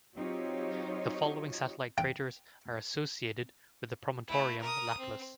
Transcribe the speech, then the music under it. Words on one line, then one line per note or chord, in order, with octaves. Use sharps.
The following satellite craters are associated with the Promontorium Laplace.
F#3 C4 D#4 F4 G4 C#5
G5
A3 E4
A#4 D#6
C4